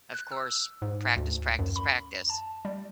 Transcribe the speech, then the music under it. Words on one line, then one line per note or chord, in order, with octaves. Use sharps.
of course, practice, practice, practice.
F#6
E6
G#2
D2
F#2
B5
A5
G3